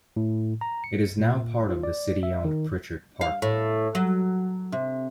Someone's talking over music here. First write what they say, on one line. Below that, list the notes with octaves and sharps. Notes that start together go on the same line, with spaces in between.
It is now part of the city-owned Pritchard Park.
A2
A#5
C#7
A#2
F4
D5
E5
D#3
F5
A2
F#3
C3